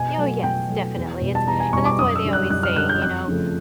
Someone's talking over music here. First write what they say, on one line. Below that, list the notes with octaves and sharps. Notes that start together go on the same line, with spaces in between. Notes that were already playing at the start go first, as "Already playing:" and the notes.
Oh, yes. Definitely. It's and that's why they always say, you know,
Already playing: B2 G#5
F#3 A3
B2 G5
F#3 A3
E2
B2 G3
A5
E2 A#5
G#5
B2 G3 C#6
D6
F#2 D#6
E6
D3 G3
F#6
F#2 F#6
F6
D3 G3 F#6
G6
F2 F#6
C#3 F3 A3